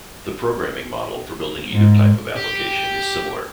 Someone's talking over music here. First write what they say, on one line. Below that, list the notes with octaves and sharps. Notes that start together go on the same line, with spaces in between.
The programming model for building either type of application is similar.
G#2
G4